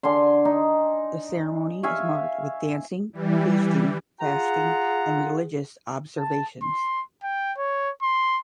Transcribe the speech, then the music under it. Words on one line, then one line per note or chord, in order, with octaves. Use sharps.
The ceremony is marked with dancing, feasting, fasting and religious observations.
D3 G#5 C6
D#4
E5 F5 G#5 C#6
E3 G3
F4 G#4 F#5 A#5
A5
C6
G5
C#5
C6